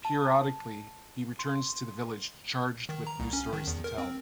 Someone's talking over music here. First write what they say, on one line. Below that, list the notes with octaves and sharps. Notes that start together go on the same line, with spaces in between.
Periodically, he returns to the village charged with new stories to tell.
A5
C6
D#3
A#5
C2
C#4
D#3
E2
A#4
C4